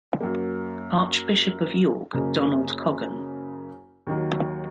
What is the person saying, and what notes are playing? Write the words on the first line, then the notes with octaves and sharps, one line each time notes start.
Archbishop of York Donald Coggan.
F#2 F#3 A#3
F#1 F#2 C#3 A#3
D#2 D#3 F#3